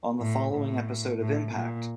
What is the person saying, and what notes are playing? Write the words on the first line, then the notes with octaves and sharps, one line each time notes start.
On the following episode of Impact!
A2
A2
A2
A#2